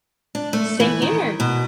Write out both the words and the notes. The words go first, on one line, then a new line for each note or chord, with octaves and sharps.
Same here.
D4
A3
E3
D#3
B2